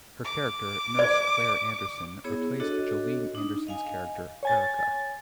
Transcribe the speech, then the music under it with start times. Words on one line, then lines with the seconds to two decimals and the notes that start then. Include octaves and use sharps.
Her character, nurse Claire Anderson, replaced Jolene Anderson's character Erika.
0.25 D6
0.99 D5
2.24 B3 E4 G#4 C#5
2.60 D4 F#4 A4 C#5 D#5
3.35 D4 D#4
3.67 D#5 F5 G#5
4.43 C#5 G#5 A6